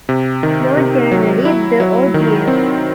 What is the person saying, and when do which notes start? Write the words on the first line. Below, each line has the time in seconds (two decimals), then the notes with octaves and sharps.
More generally, the o.g.f.
0.09 C3
0.43 D#3
0.77 C3
1.11 F#3
1.45 E4
1.80 F#3
2.14 D#3
2.48 C4